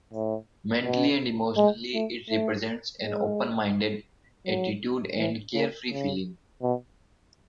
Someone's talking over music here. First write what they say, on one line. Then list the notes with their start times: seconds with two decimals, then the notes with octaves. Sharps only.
Mentally and emotionally, it represents an "open-minded" attitude and carefree feeling.
0.13 A2
0.85 B2
1.57 G#3
1.94 A3
2.29 A3
3.01 G#3
4.46 F#3
5.18 E3
5.54 C#3
5.90 C#3
6.62 B2